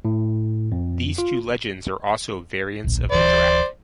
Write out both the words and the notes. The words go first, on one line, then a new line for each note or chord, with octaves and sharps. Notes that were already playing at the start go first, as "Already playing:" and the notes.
These two legends are also variants of the drac.
A2
F2
F4
D1 A#1
D1 E3 C5 D5